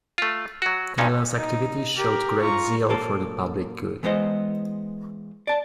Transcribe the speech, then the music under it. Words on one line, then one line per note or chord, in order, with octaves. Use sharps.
Talon's activity showed great zeal for the public good.
A3 F4
F#3 F#4
G2 A#2 C#4 D#4
D#4
G4 A#4
F4 A#5 C#6
A#2 A#3 A4
E3 G#3 B3 C5 D#5
D5 A5